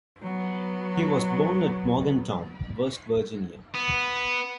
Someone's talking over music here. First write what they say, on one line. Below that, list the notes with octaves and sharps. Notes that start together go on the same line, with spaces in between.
He was born at Morgantown, West Virginia.
F#3 B3
B3